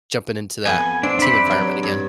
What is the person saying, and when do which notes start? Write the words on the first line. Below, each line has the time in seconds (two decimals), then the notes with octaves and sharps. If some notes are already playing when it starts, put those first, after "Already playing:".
jumping into that team environment again.
0.66 F2 B3 F#5 G#5
1.03 C4 D4
1.19 D4 C5 E5 B5
1.46 G2 F#3
1.83 G2